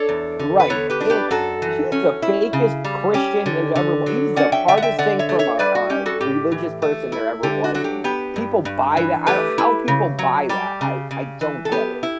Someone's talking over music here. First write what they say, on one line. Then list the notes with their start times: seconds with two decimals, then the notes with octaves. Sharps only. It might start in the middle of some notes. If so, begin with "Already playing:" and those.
Right, and he's the fakest Christian there's ever wa he's the farthest thing from a a religious person there ever was, and people buy that, I don't How people buy that, I I don't get it.
Already playing: D4 A4 C#5
0.09 E2
0.39 D3
0.60 B4
0.70 B3 A4 C#5
0.90 G4 B4
1.01 D4
1.10 G4 B4
1.31 F#2 F#4 A4
1.62 E3
1.92 C#4
2.22 E4
2.53 C#3
2.84 G3
3.14 C#4 G4
3.46 D3
3.76 D3
4.06 F#3
4.36 C#4 D5 F#5
4.52 E5 G5
4.68 D3 E5 G5
4.77 F#5
4.82 E5 G5
4.98 D3 D5 F#5
5.19 C#5 E5
5.29 A3
5.39 C#5 E5
5.59 G3 B4 D5
5.75 F#4
5.90 C#4 G4
6.06 F#4 A4
6.21 A2 G4
6.52 E3
6.82 A3
7.12 E4
7.43 D3 G4
7.64 F#4
7.74 F#3 F#4
7.84 G4
8.04 B3 G4
8.36 G2
8.65 G2
8.97 E3
9.27 A3 G4 B4
9.58 E4
9.88 C#3
10.19 F#3
10.49 G3 G4
10.81 C#3
11.11 C#3
11.41 E3
11.65 A4
11.72 B3 G4
12.03 E4